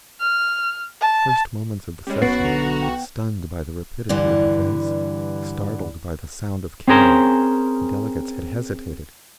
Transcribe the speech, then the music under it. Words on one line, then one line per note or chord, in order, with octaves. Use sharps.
In the first moments of the session, stunned by the rapidity of events, startled by the sound of cannon, the delegates had hesitated.
F6
A5
G3 G#3 C#4 C#5
B1 B3 F#4 B4 A6 C7 D7
D3 A#5
G5
G2 D3 E3 G3
C4 C#4 G#4 A#4 C5